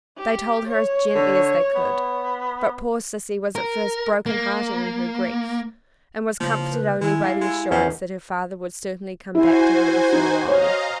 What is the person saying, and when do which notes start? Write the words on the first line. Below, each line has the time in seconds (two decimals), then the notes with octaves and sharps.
They told her as gently as they could, but poor Sissy was at first broken-hearted in her grief and was comforted only by the assurance that her father would certainly come back to her before long.
0.18 G4
0.68 C#5
1.15 D3
1.75 B3
3.55 A#4
4.26 A#3
6.40 C#3 F3 A#3
6.71 B4
7.01 D#3 G#3 E4
7.22 G4 F5
7.41 G#3
7.71 E2 E3 C#4 C5
9.35 E4 F#4 C5 G#5
10.13 D#4
10.48 C#5 D#5 F5 A#5